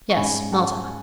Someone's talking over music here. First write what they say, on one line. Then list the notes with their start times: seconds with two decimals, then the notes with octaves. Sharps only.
"Yes; Malta."
0.10 C#6
0.17 G#2 G#3 C#4 G#5 B5
0.52 F#5 A5